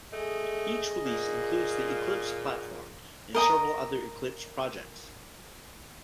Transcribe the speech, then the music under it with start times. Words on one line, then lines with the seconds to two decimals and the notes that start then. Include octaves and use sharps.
Each release includes the Eclipse Platform and several other Eclipse projects.
0.13 A3 G#4 D#5
1.05 A#2
3.35 A#4 D#5 A#5